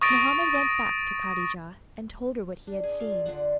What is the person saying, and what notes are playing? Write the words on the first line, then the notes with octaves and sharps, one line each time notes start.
Mohammed went back to Kadijah and told her what he had seen.
C#6 D#6 A6 A#6 D7 D#7
D4
G#4
F4 D5 F5
D3 D4 F4 F#5